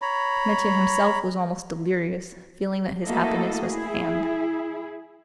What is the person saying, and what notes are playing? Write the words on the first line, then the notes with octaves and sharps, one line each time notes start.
Mitya himself was almost delirious, feeling that his happiness was at hand.
C#5 A#5 B5
A3 A#3 E4 F#4 A4 D#5
E4 G#4